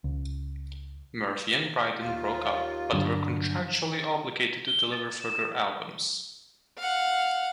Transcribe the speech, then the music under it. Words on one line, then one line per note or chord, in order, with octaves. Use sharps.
Murphy and Brydon broke up but were contractually obligated to deliver further albums.
C#2
D#2 F4
G2 D3 F#3
G7
A6
E7
F5 F#5